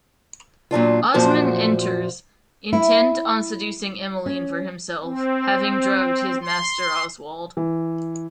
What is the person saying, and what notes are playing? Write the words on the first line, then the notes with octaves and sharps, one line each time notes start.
Osmond enters, intent on seducing Emmeline for himself, having drugged his master Oswald.
A#2 F#3 D4 F4
F#2 A#2 F3 F#4 C5
E4
C#4
C4
C6
E3